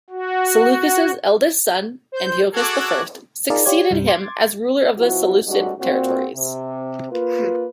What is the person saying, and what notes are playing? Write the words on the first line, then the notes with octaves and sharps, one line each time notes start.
Seleucus' eldest son Antiochus the First succeeded him as ruler of the Seleucid territories.
F#4
C5 G6
F#4 G#4 A4 D6 F#6 G#6
D#4 F4 G#4 A#4 D5 A5
F4 G4 C#5 D5 G#6
C2 G2 G3
C6 D6 G#6 A6
B2 F3 E4 F#4
G#2 G3 A3 C#4 D#4 F#4
A#2 C4 F#4
C3
A#3 F4 B4